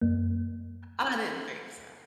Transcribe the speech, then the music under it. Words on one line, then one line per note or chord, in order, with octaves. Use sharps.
I didn't think so.
F#2 A#3